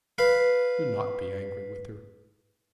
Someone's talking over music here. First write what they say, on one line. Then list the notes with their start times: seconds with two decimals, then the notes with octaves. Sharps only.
'Do not be angry with her.
0.18 B4 F5